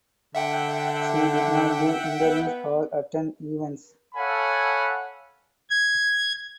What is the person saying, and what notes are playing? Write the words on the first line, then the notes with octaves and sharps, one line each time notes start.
She did not give interviews or attend events.
D3 E5 F#5 G5
B3
A4 C#5 F5 F#5 G#5 B5
G#6